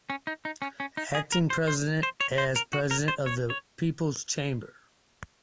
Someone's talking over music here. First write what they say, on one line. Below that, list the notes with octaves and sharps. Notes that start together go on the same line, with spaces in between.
Acting President, as President of the People's Chamber.
C#4
D#4
D#4
C#4
C#4
D#4
G#4
A#4
C5
C5
C5
C#5
C5
A#4
F#4
A#4
C5
C#5
C#5